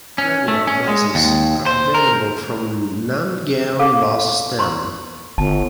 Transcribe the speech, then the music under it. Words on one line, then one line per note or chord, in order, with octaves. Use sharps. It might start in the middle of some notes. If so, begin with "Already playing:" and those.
Regular buses are available from Nandgaon Bus Stand.
C#4
A3
C#4
G#3
D#2
C5
A#4
A4 F5 D6
A#5 C6 C#6
G1 A5